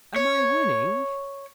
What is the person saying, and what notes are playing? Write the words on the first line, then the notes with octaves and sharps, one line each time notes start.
"Am I winning?"
C#5